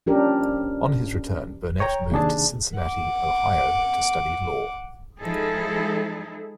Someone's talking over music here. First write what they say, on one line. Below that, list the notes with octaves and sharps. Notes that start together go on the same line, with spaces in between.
On his return Burnet moved to Cincinnati, Ohio, to study law.
F3 C#4 D4 G4 A#4
C#5 G5 A#5
D#2 C3 D4 G#4 A5
F#5 D6
F3 G#3 D#4 E4 G#4 A4